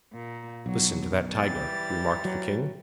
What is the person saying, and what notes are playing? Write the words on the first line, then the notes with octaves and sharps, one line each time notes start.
'Listen to that tiger!' remarked the king.
A#2
B1 F#3
E3 G3 A6
F#3